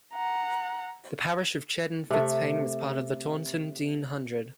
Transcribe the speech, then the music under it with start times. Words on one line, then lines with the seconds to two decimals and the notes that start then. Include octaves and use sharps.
The parish of Cheddon Fitzpaine was part of the Taunton Deane Hundred.
0.14 F#5 A#5
2.11 C3 A3